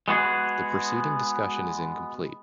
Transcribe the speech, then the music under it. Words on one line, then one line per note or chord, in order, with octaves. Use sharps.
The preceding discussion is incomplete.
G#3 B3 F#4 G#4